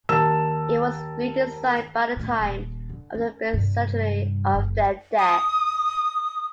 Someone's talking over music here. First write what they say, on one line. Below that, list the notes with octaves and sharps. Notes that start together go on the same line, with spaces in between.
It was redesigned by the time of the bicentenary of their deaths.
D#2 A#4 A5 E6 E7
D2 A2
D#1
D3
C#4
G2 C3
F#1
D#6